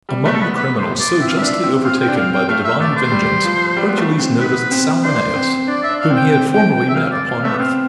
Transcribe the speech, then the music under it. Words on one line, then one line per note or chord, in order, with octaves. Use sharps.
Among the criminals so justly overtaken by the divine vengeance Hercules noticed Salmoneus, whom he had formerly met upon earth.
G3
A3 B4
A4
B3 B4
B4
C5
D5
C4 E5
F5
D4 E5
C4
C4 F5
G5
D4
C4 F5
G5
A3 F5
E5
A3 D5
C5
G3
F3
G3
B3
A3
C4
B3 B4
C4
D4 C5
C4
D4 D5
E5
D4
D4 F5
C4
G5
G5
G5
G5
E5
F5
D5
F5
A3 E5
B3
C4 F5